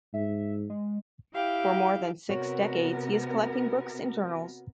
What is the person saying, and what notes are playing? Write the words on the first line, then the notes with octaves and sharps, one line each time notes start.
For more than six decades he is collecting books and journals.
G#2 E5
G#3
E4 G4 F5 G5
C3 B3 F#4 A#4 C#5